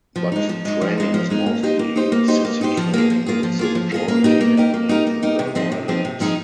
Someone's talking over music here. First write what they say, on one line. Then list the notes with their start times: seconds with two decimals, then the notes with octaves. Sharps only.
But the training is mostly sissi training with the majority happening in the wilderness.
0.16 F3
0.32 G#3 D#4
0.49 F3
0.65 G#3 D#4
0.81 F3
0.98 G#3 D#4
1.14 F3
1.30 G#3 D#4
1.46 A#3
1.63 D#4 G4 C5
1.79 A#3
1.96 D#4 G4 C5
2.12 A#3
2.28 D#4 G4 C5
2.45 A#3
2.61 D#4 G4 C5
2.77 F3
2.94 A#3 F4 G#4
3.10 F3
3.26 A#3 F4 G#4
3.43 F3
3.59 A#3 F4 G#4
3.75 F3
3.92 A#3 F4 G#4
4.08 A#3
4.24 D#4 G4 A#4
4.41 A#3
4.57 D#4 G4 A#4
4.74 A#3
4.89 D#4 G4 A#4
5.07 A#3
5.23 D#4 G4 A#4
5.39 C3
5.55 F3 C4 D#4 G#4
5.72 C3
5.88 F3 C4 D#4 G#4
6.05 C3
6.20 F3 C4 D#4 G#4